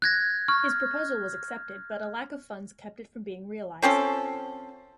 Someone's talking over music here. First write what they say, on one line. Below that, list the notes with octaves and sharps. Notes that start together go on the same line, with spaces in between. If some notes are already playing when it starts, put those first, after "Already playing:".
His proposal was accepted, but a lack of funds kept it from being realized.
F#6 G#6 A#6
C#6 F6
F3 C4 C#4 A4